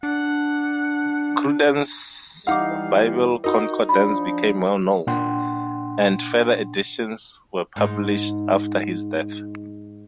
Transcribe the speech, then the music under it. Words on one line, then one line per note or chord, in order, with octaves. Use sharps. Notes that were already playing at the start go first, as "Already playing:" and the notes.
Cruden's Bible Concordance became well-known, and further editions were published after his death.
D4 F#5
E3 G3 D#4 F5 F#5 D6
D#4 F#4 A#4 D#5
F3 D4 B5
A#2 D4 F#5 G5 C6
G#2 D#4